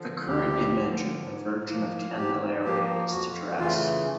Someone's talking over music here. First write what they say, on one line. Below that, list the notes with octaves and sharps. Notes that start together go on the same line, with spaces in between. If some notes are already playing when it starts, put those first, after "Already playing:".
The current image of the Virgin of Candelaria is to dress.
Already playing: D3 F3
D2 G4
D3 F3
G#2
F3 A#3
G#2 G4
F3 A#3 G4
F2 F#4
C#3 E3 A3 F4